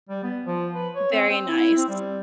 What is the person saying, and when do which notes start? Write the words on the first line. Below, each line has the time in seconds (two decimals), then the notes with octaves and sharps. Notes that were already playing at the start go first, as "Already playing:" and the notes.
Very nice.
0.09 G3
0.24 B3
0.46 F3
0.75 B4
0.95 C#5
1.12 C4
1.30 C4
1.48 E4
1.77 C4
1.89 G3